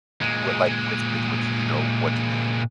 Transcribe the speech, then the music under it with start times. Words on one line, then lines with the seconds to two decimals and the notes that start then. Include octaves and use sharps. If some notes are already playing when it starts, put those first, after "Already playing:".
what, like, with with which you know what to do
0.21 A#2 G#3